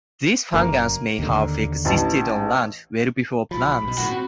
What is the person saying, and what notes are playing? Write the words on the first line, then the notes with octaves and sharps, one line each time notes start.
This fungus may have existed on land well before plants.
F#1 A#3
D#2 D3
A1 A5
B1 F3 B5
B1 B2
A#1 A2 D#3 F#4 F#5
C4